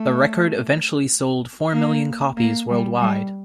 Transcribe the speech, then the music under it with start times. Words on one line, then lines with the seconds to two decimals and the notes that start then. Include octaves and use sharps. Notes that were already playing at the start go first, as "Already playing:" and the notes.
The record eventually sold four million copies worldwide.
Already playing: A3
1.73 A#3
2.36 A#3
2.69 G3
3.01 G3